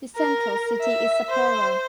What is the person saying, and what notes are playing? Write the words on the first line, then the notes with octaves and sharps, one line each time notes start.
The central city is Sapporo.
A#4
E5
C5